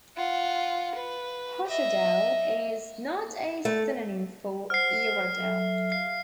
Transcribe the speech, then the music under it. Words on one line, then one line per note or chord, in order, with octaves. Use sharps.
"Hochadel" is not a synonym for "Uradel".
F4 F#5
B4
D#5 E5
A3
C5 F#5 F6 C7
F#3 A4 E5
F5 C7